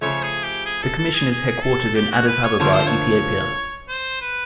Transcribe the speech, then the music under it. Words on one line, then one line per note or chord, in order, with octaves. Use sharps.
The Commission is headquartered in Addis Ababa, Ethiopia.
C#3 F3 A3 C#5
G#4
G4
G#4
A4
A4
G#4
G#4
A4
G4
F#4
B4
C#5
D3 F3 A#3 C#5
C5
C#5
C5
B4